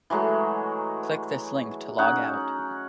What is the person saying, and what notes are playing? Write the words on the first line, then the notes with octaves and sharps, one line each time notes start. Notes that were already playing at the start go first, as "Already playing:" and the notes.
Click this link to log out.
E3 F#3 G#3 A3
C#4 D#4 F#5